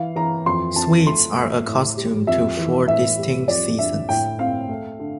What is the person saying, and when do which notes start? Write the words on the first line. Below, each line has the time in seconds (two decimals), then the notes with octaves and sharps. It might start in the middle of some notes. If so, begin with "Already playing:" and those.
Swedes are accustomed to four distinct seasons.
Already playing: E3 F5
0.16 E3 A#5
0.46 F2 C6
0.76 F2 A5
1.06 A3 C6
1.37 A3
1.67 A2
1.97 G3
2.27 F2 E5
2.57 E3
2.88 A2 E5
3.18 G3
3.48 F2 D5
3.78 D3 E5
4.09 A2 G5
4.39 C4 F5
4.69 A3
4.99 D3